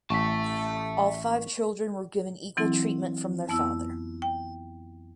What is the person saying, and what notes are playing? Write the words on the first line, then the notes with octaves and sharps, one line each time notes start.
All five children were given equal treatment from their father.
A1 E5 A5 C#6 B6
E3 F#3 C4 E4
F2 B3 E4 E6
G5